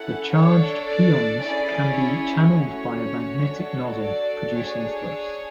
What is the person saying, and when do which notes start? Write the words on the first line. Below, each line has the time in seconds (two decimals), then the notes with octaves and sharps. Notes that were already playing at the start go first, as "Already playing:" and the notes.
The charged pions can be channelled by a magnetic nozzle, producing thrust.
Already playing: C#4 E4 A4 F#5
0.33 D4 A4 C#5
0.87 D5
1.39 C#4 E4 G#4 D5
1.92 C#5
2.44 A3 C#4 F#4 C#5
3.49 D4 F#4 A4
4.02 D5
4.55 D4 G#4 C#5